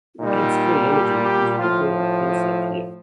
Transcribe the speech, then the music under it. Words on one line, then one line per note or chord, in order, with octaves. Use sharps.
Gibbs free energy is an important concept here.
A#2 G3 D#4
G4
G4
A2 F3 F4